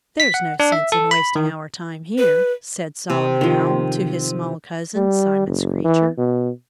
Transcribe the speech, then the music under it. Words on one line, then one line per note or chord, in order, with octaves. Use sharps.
"THERE'S no sense in wasting our time here," said Solomon Owl to his small cousin, Simon Screecher.
B6
F#5
D4
E5
A4
B5
D#3
B4
C3
D#3 F3
G3
F#1
E3
B2